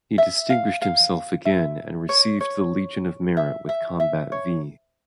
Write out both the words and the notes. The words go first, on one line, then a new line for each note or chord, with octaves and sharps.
He distinguished himself again and received the Legion of Merit with Combat "V".
E5
F5
F5
E5
C#5
C#5
E5
E5
E5
C#5